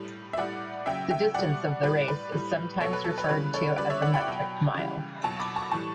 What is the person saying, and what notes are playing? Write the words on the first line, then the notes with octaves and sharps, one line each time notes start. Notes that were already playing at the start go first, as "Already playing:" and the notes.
The distance of the race is sometimes referred to as a metric mile.
Already playing: A2 G3
E5
A2 G3 D5 F#5
C#3 F#3 E5 G5
E5 G5
B2 G3 D5 F#5
A2 G3 B4 D5
B4
A2
G3
B2 F#3 A4 C#5
B4
A4
B4
C#5
C#3 E3 G3 B4
A4 C#5
C#3 G3 B4 D5
C#5 E5
D5 F#5
G5 B5
B2 F#3
C#3 E3 G3
B2 F#3 A5 C#6
B5 D6
A5 C#6
A2 E3 G3 A5 C#6